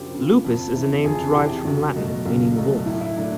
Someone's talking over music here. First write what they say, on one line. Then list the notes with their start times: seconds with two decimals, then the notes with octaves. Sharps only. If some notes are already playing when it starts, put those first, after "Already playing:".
Lupus is a name derived from Latin meaning "wolf".
Already playing: F#2 C#3 F3 C4 D4 F#4 G4
0.14 C#3 F3
0.45 F2
0.75 C3 E3
1.04 F2 G#4
1.35 C3 E3 G4
1.65 C#2 F#4
1.96 B2 F#3 A3
2.26 C#2
2.56 B2 F#3 A3
2.86 A2 E4
3.01 E4
3.16 F#3 A3 D4